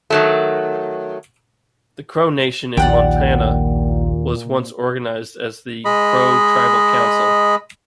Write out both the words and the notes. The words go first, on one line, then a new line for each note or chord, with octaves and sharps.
The Crow Nation in Montana was once organized as the Crow Tribal Council.
D#3 F#3 A3
A#1 D#2 A#2 D5 F#5 G5
G#3 D#5 B5